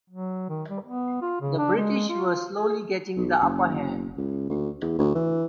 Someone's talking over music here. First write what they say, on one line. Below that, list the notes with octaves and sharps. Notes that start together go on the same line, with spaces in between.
The British were slowly getting the upper hand.
F#3
D#3
G3
B3
F4
C#3
D4
G#3
F4
G#4
B1
F#1
F#1
C#2
D2
E2
D2
E3